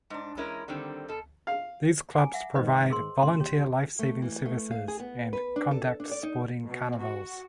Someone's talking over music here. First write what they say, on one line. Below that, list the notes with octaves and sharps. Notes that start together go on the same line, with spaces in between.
These clubs provide volunteer lifesaving services and conduct sporting carnivals.
G#2 D4
E3 G#3 C#4 E4 A#4
D3 D#3 G3 C4
B2 A4
F5
G#5 A#5 D6
E5 F#5
G#2 D#3 B4 C5 D#5
G#4 A#4 C6
A2 C#3 C6
D#2 G4 C#5
A3
E3
A3
F5
G#4
B3
B4
D4
A4
D4
D5
D#4
B2
F#4